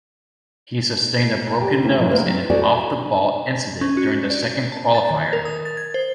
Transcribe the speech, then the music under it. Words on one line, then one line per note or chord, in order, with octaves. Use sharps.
He sustained a broken nose in an 'off-the-ball' incident during the second qualifier.
G4
A3 A#3 C4 E4
G#2 F3 F#3
G#3 A#3 B4 E5
F#3 C4
F#4 A4 C5 D5 D#5 G#5
C#4
F#4
D5
A5
A6
D#3
A#4
D#6
A6
G#6
C5